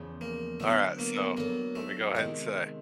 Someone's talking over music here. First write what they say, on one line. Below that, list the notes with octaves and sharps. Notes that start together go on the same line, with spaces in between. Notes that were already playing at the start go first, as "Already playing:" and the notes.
Alright, so, let me go ahead and say
Already playing: E2 C#3 F3
A#3
D3 F#3 A3 B3
A#3
D3 F#3 A#3 B3
A3
C3 D#3 G#3